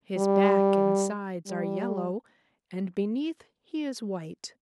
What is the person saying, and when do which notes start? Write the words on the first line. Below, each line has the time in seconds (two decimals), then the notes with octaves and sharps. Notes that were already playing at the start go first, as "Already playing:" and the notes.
His back and sides are yellow, and beneath he is white.
0.18 G3
1.47 G3